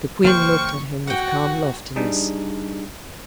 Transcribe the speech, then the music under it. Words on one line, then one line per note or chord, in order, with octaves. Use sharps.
The queen looked at him with calm loftiness.
F#1 E3 A#3 C5 G5 C#6 F6
F#4 F#5 G5
G3 D4 D#4 G#4